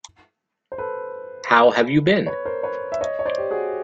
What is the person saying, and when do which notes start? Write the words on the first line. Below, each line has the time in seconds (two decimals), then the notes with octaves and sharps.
How have you been?
0.72 C5
0.78 A4 B4
2.26 B4 C#5
2.45 A#4 C5
2.63 B4 C#5
2.92 E5
3.01 C#5 D#5
3.19 C#5
3.25 C5 D5
3.38 G4
3.51 F#4 G#4